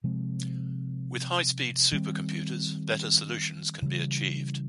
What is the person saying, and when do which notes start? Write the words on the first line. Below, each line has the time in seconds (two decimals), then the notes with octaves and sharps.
With high-speed supercomputers, better solutions can be achieved.
0.04 C3 F3 G#3 C4
1.92 D#3 G3 C4
3.82 C#3 E3 G3